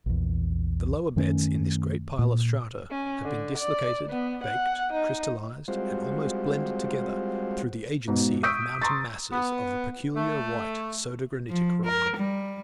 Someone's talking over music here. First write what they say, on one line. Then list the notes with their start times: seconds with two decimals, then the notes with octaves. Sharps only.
The lower beds in this great pile of strata, have been dislocated, baked, crystallized and almost blended together, through the agency of mountain masses of a peculiar white soda-granitic rock.
0.06 A#1 E2
1.16 F#2 D#3 A3 C#4
2.19 A#2
2.91 C#4
3.24 D3
3.58 D5
4.10 B3
4.44 F#5
4.94 D#4
5.68 G3 G#3 C4 F4 F#4 C5
8.08 G#2 B2
8.43 C#6 D#6 E6 G6 B6 D7
8.82 A#5 C6 C#6 A6
9.31 B3
10.16 A3
11.50 F3
11.86 A#4
12.17 G3